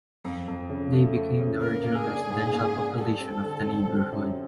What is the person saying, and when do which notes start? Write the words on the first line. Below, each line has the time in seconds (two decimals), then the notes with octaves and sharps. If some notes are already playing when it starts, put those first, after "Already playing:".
They became the original residential population of the neighborhood.
0.25 F2
0.48 F2
0.70 C#3
0.92 A3
1.16 A3
1.39 C#3
1.61 A#3 A#4
1.84 A#3
1.95 G#4
2.07 D4
2.30 G#2
2.53 A#3
2.75 D4
2.98 G3 A4
3.20 C4
3.44 D3
3.67 C4
3.89 C4
4.12 F#2